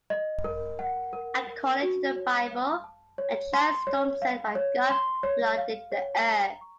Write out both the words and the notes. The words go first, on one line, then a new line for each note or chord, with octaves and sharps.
According to the Bible, a giant storm sent by God flooded the Earth.
D#5
A#4
F#5
A#4
A#4
F#4
C#5
F5
A5
C#5
C6
C#5
F5
C#5
C6
C#5
F5
C#5
A#5
C#6